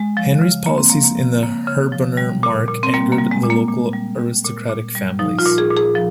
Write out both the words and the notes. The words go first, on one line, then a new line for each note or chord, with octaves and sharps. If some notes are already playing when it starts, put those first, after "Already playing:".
Henry's policies in the Herborner Mark angered the local aristocratic families.
Already playing: G#3
F3
C#3
C#3 A#3
C4
F3 A#3
A#3
F3
C#3 A#3
C#3
F3
G3
A#2
A#2
C4
G3 A#3
A#3
G3
G#3
A#2
A#3
A#2
G3
G3
A#2
A#2
G3
F3 D#4
F4
A#2
G#4
A#2
G#4
F3